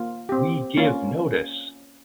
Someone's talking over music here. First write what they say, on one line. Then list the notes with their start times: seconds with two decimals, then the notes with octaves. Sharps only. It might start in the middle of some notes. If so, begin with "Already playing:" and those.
We give notice!
Already playing: A#3 F4
0.29 C4 G4
0.77 A#3 C#4 F4